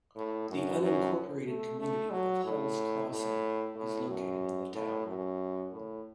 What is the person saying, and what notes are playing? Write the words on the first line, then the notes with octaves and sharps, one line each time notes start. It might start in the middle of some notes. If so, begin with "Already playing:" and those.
The unincorporated community of Hulls Crossing is located in the town.
A2
F#2
F#2
A3
A3
F#3
A2
A2
A2
F#2
A2
F#2
A2